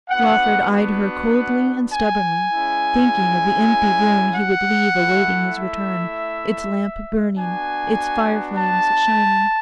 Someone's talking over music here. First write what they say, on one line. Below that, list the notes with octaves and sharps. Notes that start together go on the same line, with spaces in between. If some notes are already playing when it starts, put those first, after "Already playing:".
Lawford eyed her coldly and stubbornly--thinking of the empty room he would leave awaiting his return, its lamp burning, its fire-flames shining.
B3 D4 F#4 F#5
F#5
G#5
G#3 C#4 E4
F#5
A3 E4
E5
B3 D4 F#4 G#5
A5